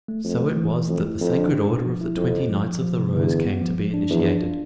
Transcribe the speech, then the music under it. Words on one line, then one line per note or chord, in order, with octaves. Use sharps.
So it was that the Sacred Order of the Twenty Knights of the Rose came to be initiated.
A3
F2 A3
A3
E3
E3
F2 A3
E4
F2 A4
D4
D4
B2
F3
E4
F2 C4
F3
F3
F3
F3
C3
E2 D3
B3
B3
F3
F3
D4
E2 F3
D4
F4